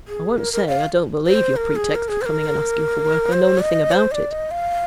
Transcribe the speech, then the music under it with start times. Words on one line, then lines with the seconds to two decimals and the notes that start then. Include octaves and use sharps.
I won't say, I don't believe your pretext for coming and asking for work; I know nothing about it.
0.08 G#4
0.38 A#4
0.53 A#4
0.68 F5
1.27 C5
1.56 A#4
1.76 G#4
1.95 A#4
2.09 G#4
2.22 C5
2.26 A#4
3.33 C5
3.62 D#5
3.92 C5
4.11 D#5
4.15 D5
4.31 D#5
4.51 F5